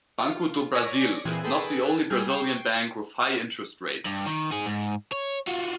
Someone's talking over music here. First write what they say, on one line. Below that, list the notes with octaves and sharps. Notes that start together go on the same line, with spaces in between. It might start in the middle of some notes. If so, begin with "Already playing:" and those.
Banco do Brazil is not the only Brazilian bank with high interest rates.
F4
C#5 D5 G#5 G#6 A#6 B6
A#2 E3 C4 G#4 F#6
G#4 A4 B4 G5
G3 G#4 F6 G6
G5 C#6 C7
G2
D#3
D#4 G#4
G#2
C#5
F4 F#4